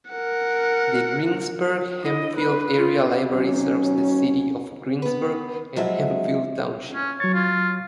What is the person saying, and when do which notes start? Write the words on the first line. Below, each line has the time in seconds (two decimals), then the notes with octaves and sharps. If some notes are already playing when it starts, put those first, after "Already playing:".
The Greensburg Hempfield Area Library serves the City of Greensburg and Hempfield Township.
0.10 A#4 F#5
2.02 E4 D#5
2.37 B4
2.77 F4
3.29 D#2 F#3 C#4
5.02 B3 B4
5.76 F3 F#3 G#3 E5
6.93 C#4
7.20 F#3 C#5 A6
7.34 F4